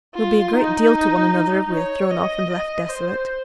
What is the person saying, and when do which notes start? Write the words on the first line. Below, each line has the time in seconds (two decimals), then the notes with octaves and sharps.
We'll be a great deal to one another, if we are thrown off and left desolate.'
0.15 F4
0.53 D#4
1.72 C#5
2.11 D#5
2.50 D#5
2.89 C5